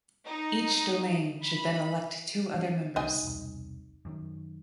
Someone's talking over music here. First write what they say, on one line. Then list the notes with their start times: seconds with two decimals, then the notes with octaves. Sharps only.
Each domain should then elect two other members.
0.24 D#4
1.45 B5
2.54 E3 C#4
2.96 C2 D#4 D#5 G#5
3.23 E1 C2
4.05 F#2 D#3